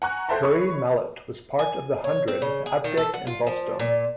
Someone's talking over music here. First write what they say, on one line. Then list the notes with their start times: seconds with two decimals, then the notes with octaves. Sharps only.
Curry Mallet was part of the hundred of Abdick and Bulstone.
0.02 F#5 G#5 A#5 C#6 F#6
0.29 A4 C5 E5 G5 A5 A#5
0.43 C#5 B5 C#6
1.59 G#5
2.04 C#5
2.28 C4
2.42 C#3
2.66 G#4
2.84 D#3
2.97 A4
3.14 F#5
3.27 F4
3.47 F3
3.79 A#2